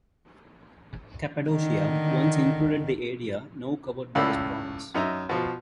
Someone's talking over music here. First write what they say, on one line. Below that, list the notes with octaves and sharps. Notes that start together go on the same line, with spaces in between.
Cappadocia once included the area now covered by this province.
D3 D#3
C#2 A2 F4 D5 B5 E6
F#2 D#4 E5 A#5
B2 F3